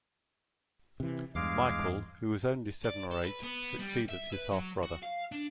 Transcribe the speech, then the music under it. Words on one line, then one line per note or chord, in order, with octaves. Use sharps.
Michael, who was only seven or eight, succeeded his half-brother.
C3 E3
E2 G2 G#3 F5 D6
D5
A4
B4
B3
G3
E5
B4
F#3
F#4
F5
D4